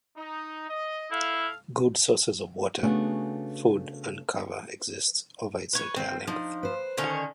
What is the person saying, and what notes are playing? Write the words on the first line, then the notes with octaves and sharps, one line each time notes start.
Good sources of water, food, and cover exist over its entire length.
D#4
D#5
E4 A4 F5
C#3 A3 B3 D4 F#4 G#4
B4 C#5
C4
F3 D4 D#4
B4 C5
D3 D#3 C#4